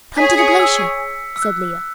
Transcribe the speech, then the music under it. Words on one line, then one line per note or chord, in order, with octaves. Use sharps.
"Come to the glacier," said Leo.
G#4 C#5 G#5 B6
C#7
E6
E6
F#6